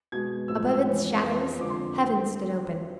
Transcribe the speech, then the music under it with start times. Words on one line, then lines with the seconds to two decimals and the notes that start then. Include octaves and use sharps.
Above its shadows heaven stood open.
0.12 B2 G#3 G#6
0.48 A2 F3 G#3 E6
0.68 E6
0.86 F2 E3 G#3
1.23 F2 E3 G#3
1.60 F2 D3 F3 D6
1.70 C6